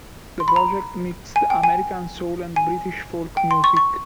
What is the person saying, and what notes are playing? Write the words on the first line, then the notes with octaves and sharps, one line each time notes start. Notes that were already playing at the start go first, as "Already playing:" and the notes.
The project mixed American soul and British Folk music.
C6
B5
A#5
G#5
G5
G#5
G#5
G5
C6
C#6
C#6